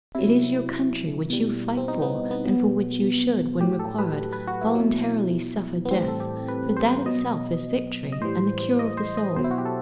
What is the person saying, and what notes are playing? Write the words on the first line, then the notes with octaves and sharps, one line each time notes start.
It is your country which you fight for, and for which you should, when required, voluntarily suffer death; for that itself is victory and the cure of the soul.
C3 F#3 E4
B2 G3
C4
D#4
B3
B3
B2 F#3
A2 F#3 G4
A4
B4
B4
F#4
E4
B2 F#3
B3
A2 E3 G3 C4
A4
G4
B4
C5
B2 F#3 D#5
D#5
A2 E3 G3 C5
D#5
C5
D#5
B2 F#3 C5
E4
F#4
G4
A4